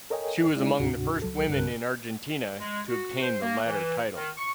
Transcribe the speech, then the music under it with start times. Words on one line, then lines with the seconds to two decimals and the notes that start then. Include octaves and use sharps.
She was among the first women in Argentina to obtain the latter title.
0.10 A4 A#4 C#5 D#5 G5 G#5
0.56 G#3 C#4 D#4 E4 D5
0.80 D2 G#2 C3 D4 F#4
1.22 C#2 F#3 A4
1.48 C2 G2 C#3 A#4 F#6
2.61 G#3
2.89 F#4
3.21 C5
3.42 A#3
3.66 E3
4.16 D#3
4.38 C#6